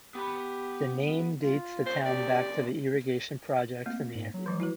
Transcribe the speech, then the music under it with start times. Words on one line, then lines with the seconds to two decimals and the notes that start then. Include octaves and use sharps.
The name dates the town back to the irrigation projects in the area.
0.15 B3 G4 B5
1.39 F4
1.86 A#2 C#3 C5
2.05 G4 D5
3.86 A3 A#3 C4
4.15 G#2
4.34 F#3
4.46 E3 F3 G#3
4.60 E4 F#4 B4